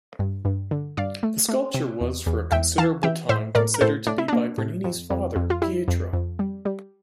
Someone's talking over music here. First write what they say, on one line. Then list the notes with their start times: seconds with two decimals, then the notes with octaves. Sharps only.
The sculpture was for a considerable time considered to be by Bernini's father Pietro.
0.19 G2
0.45 G2
0.71 D3
0.97 G2 D5 F5
1.23 A3
1.49 A3
1.74 C3
2.01 E2
2.26 E2
2.52 E2 E5 G5
2.78 E3 F5 A5
3.03 E3 E5 G5
3.29 A2 C5 E5
3.55 A2 A#4 D5
3.74 A#4
3.81 A2 A4 C5
4.07 A2 D4
4.18 E4
4.28 A#3 D4
4.58 A2
4.84 F2
5.10 F2
5.36 F2
5.50 F4
5.62 G3 E4
5.88 F2
6.13 F2
6.39 G3
6.65 G3